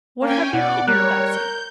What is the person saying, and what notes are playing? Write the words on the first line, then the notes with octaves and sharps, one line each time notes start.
'Where have you hidden the basket?
A#3 C#4 G5 G#5
B2 D5 F#5
G3 A#4 C#5 F#6
G6